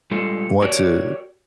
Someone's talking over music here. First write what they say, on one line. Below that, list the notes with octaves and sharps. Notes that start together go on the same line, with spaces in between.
want to
G3 G#3 F4 A4
F#4 G4 A#4 C#5 D5